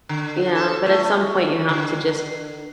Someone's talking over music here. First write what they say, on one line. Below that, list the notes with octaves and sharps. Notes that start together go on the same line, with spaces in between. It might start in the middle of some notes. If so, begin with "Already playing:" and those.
Yeah, but at some point, you have to just
D3
A4
A3
D3